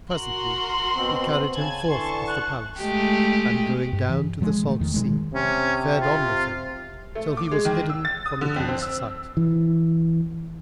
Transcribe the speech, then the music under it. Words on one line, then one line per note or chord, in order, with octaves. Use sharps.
Presently he carried him forth of the palace and going down to the salt sea, fared on with him, till he was hidden from the King's sight.
F#4 A#4 C6 F#7
B2 C4
C#3 G#5 A5 G#6
D3 E3 A5 C6 C#6
F#6
G#3 A3 G4
G2
E3
A2 F3 G#3
D#3 A3
E2 D#3
B2 D#3 F#3 G#3
C3 C#4
F4
A3
D6
G#3
D#3
E6
A6
D#6
D3
F2
C4
E6
E3